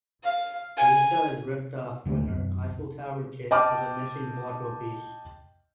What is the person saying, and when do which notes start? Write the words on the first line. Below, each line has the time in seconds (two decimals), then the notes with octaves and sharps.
Lisa is ripped off when her Eiffel Tower kit has a missing Blocko piece.
0.24 F5
0.77 G#5
2.05 D#2 D3 D#3 A3
2.28 B1 F#2
3.51 D#5 G5 A5 D6 F6